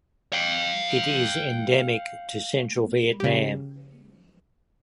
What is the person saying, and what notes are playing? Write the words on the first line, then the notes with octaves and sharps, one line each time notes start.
It is endemic to central Vietnam.
F5 G5
C#3 G4